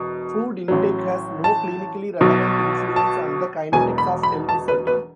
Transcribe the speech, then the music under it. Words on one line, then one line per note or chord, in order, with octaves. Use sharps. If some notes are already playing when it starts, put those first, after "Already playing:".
Food intake has no clinically relevant influence on the kinetics of telmisartan.
Already playing: E1 B2
A1 A2 F#3
A5
B1 B2 F#3
A5
E1 E2 B2 F#3 G#5
B5
B5
A5
B4
B4